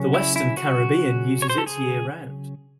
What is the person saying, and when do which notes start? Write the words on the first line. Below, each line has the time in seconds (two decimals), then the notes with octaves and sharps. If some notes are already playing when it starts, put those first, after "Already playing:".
The western Caribbean uses it year round.
Already playing: C#3 F#3 C#4
0.14 E4
0.36 E4
0.57 F#4
1.42 C#5
1.50 C5
1.58 A4
1.66 G#4